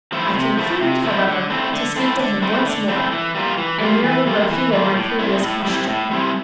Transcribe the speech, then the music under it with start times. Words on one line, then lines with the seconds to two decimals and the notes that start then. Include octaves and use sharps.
I concluded, however, to speak to him once more, and merely repeated my previous question.
0.12 F3 A3 E4
0.34 C3
0.57 F3 A3 E4
0.81 C3
1.04 F3 A3 E4
1.27 D3
1.50 A3 C4 E4
1.73 D3
1.96 A3 C4 E4
2.19 D3
2.42 A3 C4 E4
2.65 D3
2.88 A3 C4 E4
3.11 E3
3.35 G3 A#3 F4
3.57 E3
3.80 G3 A#3 F4
4.04 E3
4.27 G3 A#3 F4
4.50 E3
4.73 G3 A#3 F4
4.96 A2
5.19 G3 C4 E4
5.42 A2
5.64 G3 C4 E4
5.88 A2
6.11 G3 C4 E4